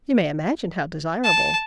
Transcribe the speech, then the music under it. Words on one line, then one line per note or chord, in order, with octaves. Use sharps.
You may imagine how desirable!
A5